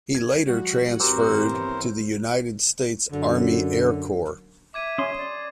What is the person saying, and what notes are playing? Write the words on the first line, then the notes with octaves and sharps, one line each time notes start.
He later transferred to the United States Army Air Corps.
G#6
F3 G3 F#4
G2 E3 C4 G4 A#4 C5 D6 E6
B3 E4 C#5
F#2 D3
E5 D6 G#6 D#7
C#4 C6 D#6
D5